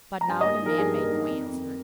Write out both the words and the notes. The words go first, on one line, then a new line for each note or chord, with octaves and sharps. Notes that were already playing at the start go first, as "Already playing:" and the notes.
But now the man made no answer.
A#5
G2 G#5
A#3 D#5
D#3 A#4
G2 G#4
A#3
A#4
D#3
F2
F2